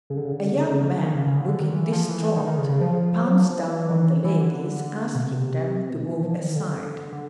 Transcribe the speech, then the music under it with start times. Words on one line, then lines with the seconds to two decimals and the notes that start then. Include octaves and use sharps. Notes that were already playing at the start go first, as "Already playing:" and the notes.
A young man, looking distraught, pounced down on the ladies, asking them to move aside.
0.10 C#3
0.17 D3
0.25 C#3
0.32 D3
0.39 C#3
0.47 D3
0.53 C#3
0.61 D3
0.68 C#3
0.88 C#3
0.92 D3
1.03 D#3
1.14 C#3
1.26 C#3
1.37 D3
1.48 D3
1.59 D#3
1.75 E3
1.92 F3
2.09 E3
2.36 D#3
2.47 D#3
2.58 C#3
2.69 C#3
2.81 F3
3.25 F#3
3.41 F3
3.58 E3
3.90 E3
4.24 E3
4.40 D3
5.15 B2
5.24 C3
5.90 B2
6.06 E3
6.23 F3
6.39 D#3
6.56 D3
7.12 D3